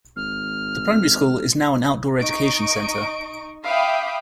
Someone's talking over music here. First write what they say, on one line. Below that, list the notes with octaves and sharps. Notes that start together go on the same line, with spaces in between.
The primary school is now an outdoor education centre.
G#1 F6
D#4 D#5 C#6 D7
E5 F5 G5 B5 D6 D#6